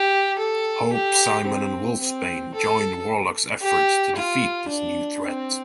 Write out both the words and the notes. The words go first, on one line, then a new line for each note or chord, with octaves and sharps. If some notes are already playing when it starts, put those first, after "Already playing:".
Hope, Psimon and Wolfsbane join Warlock's efforts to defeat this new threat.
Already playing: G4
A4
G4
C4
C4
A4
G4
F4
D4
C4